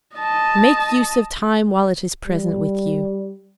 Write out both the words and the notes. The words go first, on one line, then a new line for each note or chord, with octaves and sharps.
Make use of time while it is present with you.
D#5 A5
G3